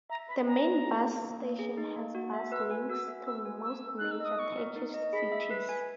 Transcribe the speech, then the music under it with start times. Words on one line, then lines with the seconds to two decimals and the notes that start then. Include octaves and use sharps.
The main bus station has bus links to most major Turkish cities.
0.10 E5 A#5
0.28 B4 B5
0.47 G#5 A#5
0.66 A#3
0.84 G#4
1.03 D#4
1.22 A#3
1.40 A#3
1.59 G#4
1.78 D#4
1.96 A#3
2.15 F#4
2.33 E5
2.52 B4 E6
2.71 G#5
2.89 F#4 E6
3.08 E5
3.26 B4 E6
3.45 G#5
3.64 B3 E6
3.82 A#4
3.98 D#4 F#6
4.11 E6
4.20 D#5 D#6
4.39 B3 C#6
4.58 A#4
4.76 D#4
4.94 D#5
5.13 G#4 B5
5.32 E5
5.50 B4
5.69 G#5